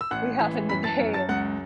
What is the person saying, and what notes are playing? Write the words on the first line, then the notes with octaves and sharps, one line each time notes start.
we have in the day, and
E6
A1 F#5 F#6
E3
F#2 B5 B6
A5 A6
F#2
A5 A6
C#2 F#5 F#6